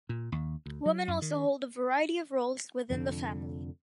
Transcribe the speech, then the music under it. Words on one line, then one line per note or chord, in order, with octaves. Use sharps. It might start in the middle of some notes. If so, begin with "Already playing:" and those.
Women also hold a variety of roles within the family.
A#2
D#2
D2
F#3
F#2
D#3
F1 F2 B2 D3